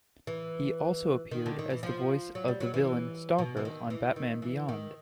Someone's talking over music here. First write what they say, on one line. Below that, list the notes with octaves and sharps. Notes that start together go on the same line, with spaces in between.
He also appeared as the voice of the villain Stalker on "Batman Beyond".
E3
D#3
D3
D#3
E3
F3
F#3
G3
F#3
E3
B2
E3
D#3
E3
D#3
E3
D#3